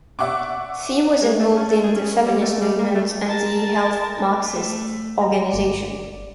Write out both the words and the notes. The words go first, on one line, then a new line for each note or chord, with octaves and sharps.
Fee was involved in the feminist movement and the Health Marxist Organisation.
D5 E5 F#5 C#6 D6
G#3
A3
C#4
A3
G#4
C#4
A#4
G3
A3
G3
A#3
A3
A#4 A5
A3
A#5
G1 D5